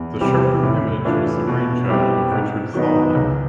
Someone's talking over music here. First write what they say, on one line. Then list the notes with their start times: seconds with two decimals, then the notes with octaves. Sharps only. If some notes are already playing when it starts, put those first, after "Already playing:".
The Sharper Image was the brainchild of Richard Thalheimer.
Already playing: E2
0.21 C3 E3 G3 C4
0.63 A2
1.05 E3 A3 D4 F4
1.47 B2
1.89 G3 C4 E4 G4
2.31 G#2
2.74 D#3 F#3 B3 D#4
3.15 C#2